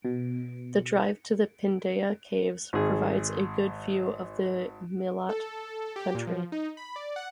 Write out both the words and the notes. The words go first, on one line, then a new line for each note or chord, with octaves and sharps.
The drive to the Pindaya Caves provides a good view of the Myelat country.
B2
G#1 G#4
A4
G4
A#2
F3
D#4
B5
D5
F#5